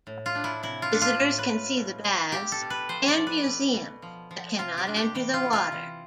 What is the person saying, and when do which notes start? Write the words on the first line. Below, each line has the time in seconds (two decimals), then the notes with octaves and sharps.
Visitors can see the Baths and Museum but cannot enter the water.
0.07 A2
0.26 F4
0.35 D4
0.44 E4
0.63 C3 E4
0.82 F4
0.92 D4
1.02 F4
1.19 A2
1.39 B4
1.48 A2
1.77 B2
2.04 B2
2.32 B2 G4
2.52 A4
2.61 B2
2.70 B4
2.89 F3 C5
3.08 D5
3.17 F3
3.27 B4
3.46 B2
3.74 B2
4.02 F3
4.31 F3
4.58 C3 F4
4.78 G4
4.87 D4
4.96 G4
5.15 E3 G4
5.34 F4
5.43 E4
5.53 F4
5.72 E3